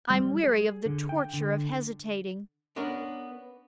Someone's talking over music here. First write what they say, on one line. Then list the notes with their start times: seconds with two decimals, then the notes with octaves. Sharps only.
I'm weary of the torture of hesitating.
0.10 G3
0.44 G#4
0.86 D3
1.09 G5
1.33 D3
2.76 B3 C#4 D4 A#4